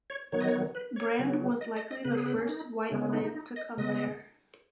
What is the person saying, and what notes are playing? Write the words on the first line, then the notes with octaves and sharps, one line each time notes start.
Brand was likely the first white men to come there.
C#5
D#3 F#3 B3 C#5
D#5
C#5
B4
C#5
C#3 F#3 B3
D#5
D#5
D#5
C#3 B3 B4
G#4
B4
C#4
D#4
C#3 G#3 B3 C#4
C#4
D#4
D#4
D#4
D#5
C#3 G#3 B3 D#5